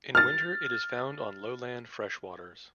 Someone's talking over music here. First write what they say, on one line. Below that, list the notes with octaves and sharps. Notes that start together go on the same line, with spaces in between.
In winter it is found on lowland fresh waters.
F6 A6